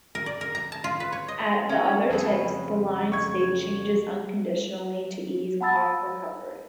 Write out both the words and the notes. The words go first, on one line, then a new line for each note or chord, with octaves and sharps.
At the other ticks, the line state changes unconditionally to ease clock recovery.
A#4
D5
A#4
A#5
A5
F4
B4
C#5
D#5
C#4
F2 A2 C#3 G#4 A4 B4
C#6 G#6
F#5 A5 B5 E6 A6